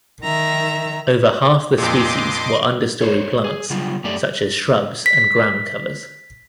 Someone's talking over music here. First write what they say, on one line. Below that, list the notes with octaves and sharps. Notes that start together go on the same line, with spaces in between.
Over half the species were understory plants such as shrubs and ground covers.
D#3 E5 A#5
F2 A#2 D#5 C6 D6
A4 C5 C#5
G#4
C#3 F#3 G3 F4
F#2 A3 G4 A4 D5
B6